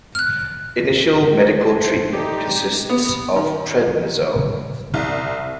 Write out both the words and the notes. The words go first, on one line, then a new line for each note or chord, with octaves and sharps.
Initial medical treatment consists of prednisone.
F6 F#6
A3 A4 C5
C4 D#4 G4 D5
B3
D#3
C2